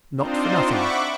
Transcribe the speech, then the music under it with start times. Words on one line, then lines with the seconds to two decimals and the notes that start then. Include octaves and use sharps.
Not for nothing!
0.16 C4 D4 D#4 F4 C5
0.62 E5 F#5 B5 C#6 D6